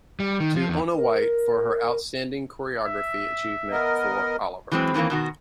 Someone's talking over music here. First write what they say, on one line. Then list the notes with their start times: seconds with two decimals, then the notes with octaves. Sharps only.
"To Onna White for her outstanding choreography achievement for "Oliver!
0.20 G3
0.40 D#3
0.56 F3
0.69 E2
0.95 A#4
2.86 E5
3.71 B3 A#4 D#5
4.71 E3 F#3 G#3 B3 C4
4.94 D#3 E3 F#3 A#3 C4
5.10 B2 D#3 F#4